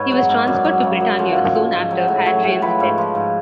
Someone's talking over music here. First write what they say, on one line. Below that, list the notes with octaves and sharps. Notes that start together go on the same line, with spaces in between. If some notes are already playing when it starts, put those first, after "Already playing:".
He was transferred to Britannia soon after Hadrian's death.
Already playing: G#2 G#4 B4 C#5
F#3
G#2
F#2 D5
F#3
C#3
F#2
F3 F#5
G#2
F3
G#2
F#3
A2
F#3 C#5
A2
F3 B4
G#2
F3
G#2